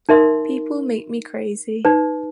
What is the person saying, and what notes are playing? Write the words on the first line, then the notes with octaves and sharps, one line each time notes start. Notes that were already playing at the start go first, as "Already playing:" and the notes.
People make me crazy!
D#4 A#4 E5 C6
D#4 B4